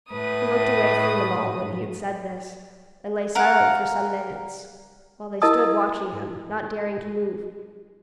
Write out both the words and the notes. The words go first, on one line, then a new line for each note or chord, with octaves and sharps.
He looked away from them all when he had said this, and lay silent for some minutes, while they stood watching him, not daring to move.
A2 B4 D#6
A#4 F5 F#5
E4 A#4 D#5 A5 D#6